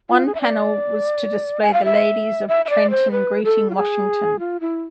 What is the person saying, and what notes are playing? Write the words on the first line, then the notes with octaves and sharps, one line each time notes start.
One panel was to display the Ladies of Trenton greeting Washington.
F4
G#4
E5
D5
G#5
F5
E5
E5
E5
D5
C5
B4
A4
F4
G#4
F4
E4